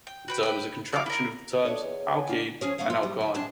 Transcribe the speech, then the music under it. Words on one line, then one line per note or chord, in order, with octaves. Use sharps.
The term is a contraction of the terms alkene and alkyne.
G5
F#4 B4 G5
B4 G5
F#4 F5 G5 D6
E4 A#4
A3 D4 C#5
E2
B3 G#5
D4 F4
F3 C#4 G#4 C#5
A3 B3 C#5 F5 F#5
F4
G3
D2 E4 E5
A2 C4 D4 G#4 A5